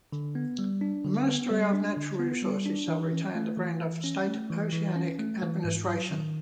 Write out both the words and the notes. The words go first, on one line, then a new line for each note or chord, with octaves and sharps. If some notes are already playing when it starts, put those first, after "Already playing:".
The Ministry of Natural Resources shall retain the brand of the State Oceanic Administration.
D3
B3
G3
D4
D3
B3
G3
D4
D3
B3
G3
D4
E3
C#4
A3
E3
E3
C#4
A3
E3
E3
C#4
A3
E3
G#2
F#3
D#3